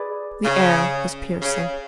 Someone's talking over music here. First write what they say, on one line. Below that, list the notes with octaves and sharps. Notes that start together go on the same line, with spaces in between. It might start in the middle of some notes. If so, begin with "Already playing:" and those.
The air was piercing.
Already playing: G#4 B4 D5
C#3
C#3